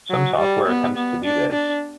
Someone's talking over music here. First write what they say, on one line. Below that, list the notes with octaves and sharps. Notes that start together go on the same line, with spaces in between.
Some software attempts to do this.
F#3
G3
B3
B3
D4
D4